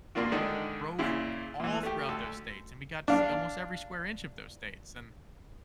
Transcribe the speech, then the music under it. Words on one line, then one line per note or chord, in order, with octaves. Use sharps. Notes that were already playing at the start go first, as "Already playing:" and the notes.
drove all throughout those states, and we got to see almost every square inch of those states. And
A#2 A#3 D4 F4 F#4
D3 D#3 G#3 D4 D#4
A#2 C#3 E4
A#2 E3
A3 G4
D2 A4
D4 F5